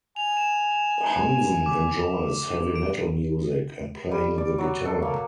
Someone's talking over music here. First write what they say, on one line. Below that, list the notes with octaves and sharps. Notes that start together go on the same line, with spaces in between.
Hansen enjoys heavy metal music and playing the guitar.
G#5 F7
E7
D6
D7
G3
D5
F#3
A4
A#3